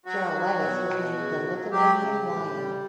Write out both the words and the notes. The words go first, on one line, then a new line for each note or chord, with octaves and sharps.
Gerulaitis was nicknamed "The Lithuanian Lion".
F#3 F#4
F#3
B2
B2
C#3
F#3
F#3 G4
C#3
A2
G3